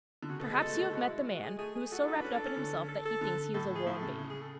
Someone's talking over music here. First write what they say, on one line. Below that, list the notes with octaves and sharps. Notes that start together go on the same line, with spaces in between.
Perhaps you have met the man who is so wrapped up in himself that he thinks he is a warm baby.
D3
C#3 F#4
B2 A4
G#3 G#4
G#3 A4
A3
G#3
G#3 F#4
E4
F#4
G#4
A3 G#4
G#4
F#4 A4
E4
A4
D4
C#4 B4
D4 A4
C#4
D3
A4
A4
D3
A2 A4
G#4
A2 E4
A4
C#3
C#3
G#4
A4